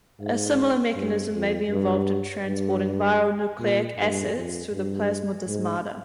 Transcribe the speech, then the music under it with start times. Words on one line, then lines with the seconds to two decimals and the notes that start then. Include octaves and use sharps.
A similar mechanism may be involved in transporting viral nucleic acids through the plasmodesmata.
0.20 G#2
0.96 G2
1.33 F2
1.70 G2
2.46 G2
3.60 A#2
3.97 G2
4.35 F2
4.72 G2
5.47 G#2